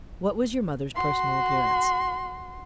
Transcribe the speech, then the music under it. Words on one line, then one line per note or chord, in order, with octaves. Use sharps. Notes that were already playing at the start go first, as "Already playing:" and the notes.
"What was your mother's personal appearance?"
F#4 C6